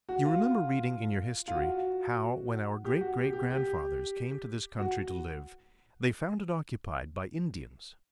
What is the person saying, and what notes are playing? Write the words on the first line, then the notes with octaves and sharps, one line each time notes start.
You remember reading in your history, how, when our great-great- grandfathers came to this country to live, they found it occupied by Indians.
F#4
F4
F4
F#4
G4
F#4
G4
G4
G4
F#4